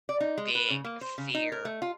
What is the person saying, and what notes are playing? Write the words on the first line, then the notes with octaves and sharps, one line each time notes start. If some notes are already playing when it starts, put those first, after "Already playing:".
big fear
D5
D#4
G#3
B4
C#3
A#3
C5
C#3
D#4
A#4
A3
F4